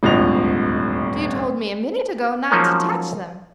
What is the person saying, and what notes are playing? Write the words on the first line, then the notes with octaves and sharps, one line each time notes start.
"But you told me, a minute ago, not to touch them."
D#1 G#1 D2 F3 D#5 F7
F3 F#3 G#3 A#3 C#4 D#4